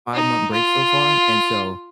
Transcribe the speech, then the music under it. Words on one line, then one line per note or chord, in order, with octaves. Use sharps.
five-month break so far, and so
D#4
F4